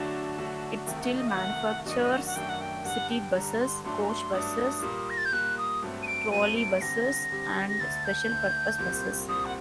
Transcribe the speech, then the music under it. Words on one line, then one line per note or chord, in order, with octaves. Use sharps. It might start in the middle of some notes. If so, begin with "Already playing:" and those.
It still manufactures city buses, coach buses, trolley buses, and special purpose buses.
Already playing: D3 F#3 A3 D4 F#4 A5
D3 F#3 A3 D4 F#4
C2 C3 D#3 A3 G5
F#5
D#5
F#5
C2 C3 D#3 A3
F#2 D#3 A3 D4 F#4 D#5
D#5
F#5
F#5
F#2 D#3 A3 D4 F#4 G5
F#5
G5
G2 D3 G3 F#5
G5
G2 D3 G3 A#5
C6
G2 F#3 A3 D4 C6
A#5
C6
G2 F#3 A3 D4 D#6
A#2 G3 A#3
A#6
A6
G6
A#2 G3 A#3 F#6
D#6
G2 F#3 A3 C4
D#7
D7
G2 F#3 A3 C4 D#7
D7
D3 G3 C4 G4 A#6
D3 G3 C4 G4
A#6
D2 D3 A3 A6
G6
D2 D3 A3
C2 A#2 G3 C4
C2 A#2 G3 C4 D#6
F#5